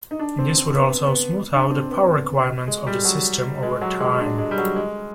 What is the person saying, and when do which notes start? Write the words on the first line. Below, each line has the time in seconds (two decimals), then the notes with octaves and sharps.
This would also smooth out the power requirements of the system over time.
0.11 D#4
0.19 D4
0.38 C4
0.58 C4
0.76 B3
1.06 B3
1.53 D4
1.71 C4
1.91 B3
2.67 G#3
2.87 G3
3.05 F#3
3.63 G#3
3.81 F#3
4.00 G#3
4.19 D4
4.38 G#3
4.51 G3
4.58 F#3
4.76 G#3